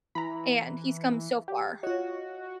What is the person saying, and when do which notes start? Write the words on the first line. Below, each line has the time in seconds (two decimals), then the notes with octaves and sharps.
And, he's come so far.
0.15 E3 A#5 B5
1.48 G4
1.83 F4 F#4 C#5 D#5